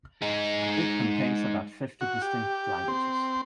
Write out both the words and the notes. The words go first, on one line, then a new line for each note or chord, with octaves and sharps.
It contains about fifty distinct languages.
G#3 D#4
F#4
G4
C4